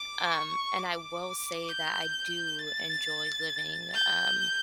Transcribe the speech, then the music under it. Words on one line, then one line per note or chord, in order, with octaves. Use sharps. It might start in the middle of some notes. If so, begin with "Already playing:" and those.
um, and I will say that I do enjoy living, um,
Already playing: D6
C#6
D6
G6
A6
G6